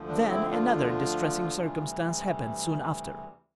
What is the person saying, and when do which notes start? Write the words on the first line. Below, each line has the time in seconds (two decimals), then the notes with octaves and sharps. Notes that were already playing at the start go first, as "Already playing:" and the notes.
Then another distressing circumstance happened soon after.
Already playing: D2 D3 F3
0.08 D4
0.29 C4 E4
0.50 D4 F4
1.56 D2 C3 E3 G3